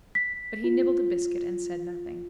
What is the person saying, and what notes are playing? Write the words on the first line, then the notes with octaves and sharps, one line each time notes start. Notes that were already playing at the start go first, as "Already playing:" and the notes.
But he nibbled a biscuit, and said nothing.
B6
F4